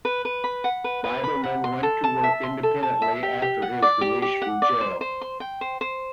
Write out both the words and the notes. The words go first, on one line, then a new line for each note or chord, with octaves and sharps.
Biberman went to work independently after his release from jail.
B4
B4
B5
F#5
B4
B4
B5
F#5
C6
A4
A5
E5
C6
A4
A5
E5
G4
G4
F#5
D5
G4
G4
F#5
D5
C5
C5
C6
G5
C5
C5